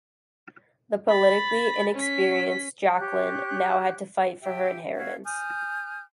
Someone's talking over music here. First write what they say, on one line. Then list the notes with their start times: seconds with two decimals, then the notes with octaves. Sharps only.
The politically inexperienced Jacqueline now had to fight for her inheritance.
1.09 B5 A6
1.95 C#4 B6
2.98 G4 C#5 F#6 G6
4.41 G4 E5 G5
4.95 F#4 C#5 E5 F5
5.24 G#5 D#6 F6 G6